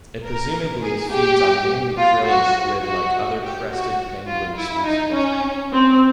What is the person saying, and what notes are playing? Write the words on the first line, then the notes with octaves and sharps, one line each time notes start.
It presumably feeds on mainly krill and squid like other crested penguin species.
A#4
G#4
G4
F4
F#4
F#4
G4
F#4
F4
E4
D#4
C#4
C4